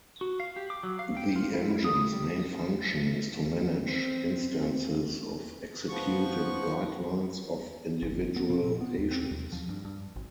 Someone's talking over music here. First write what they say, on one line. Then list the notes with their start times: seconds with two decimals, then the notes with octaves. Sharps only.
The engine's main function is to manage instances of executed guidelines of individual patients.
0.21 F#4
0.40 F5
0.56 G4
0.70 D6
0.83 F#3
0.99 F5
1.17 G5
1.36 F4
1.53 E4
1.71 E4
1.84 D#6
2.12 G3
3.88 C4
5.89 F3 B3 C#6
8.02 G1
8.36 B3
8.50 C3
8.64 A#2
8.81 B3
8.98 D#2
9.11 C4
9.31 D#2
9.52 F3
9.69 G2
9.85 G2
10.16 G#1